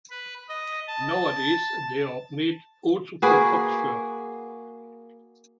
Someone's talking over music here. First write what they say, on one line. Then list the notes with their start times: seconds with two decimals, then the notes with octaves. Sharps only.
Nowadays they are made also from fox fur.
0.10 B4
0.49 D#5
0.87 A5
3.22 A#3 F#4 G#4 B4